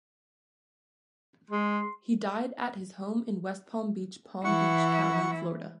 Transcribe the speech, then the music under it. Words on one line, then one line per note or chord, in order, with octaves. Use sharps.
He died at his home in West Palm Beach, Palm Beach County, Florida.
G#3 C6
E3 E4 F#5 C#6